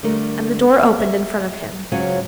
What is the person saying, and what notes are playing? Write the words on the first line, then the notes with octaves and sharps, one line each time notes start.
And the door opened in front of him.
D3 G3 A3 A#4
E5
G#2 C#3 F#3 G#3 C#4 F4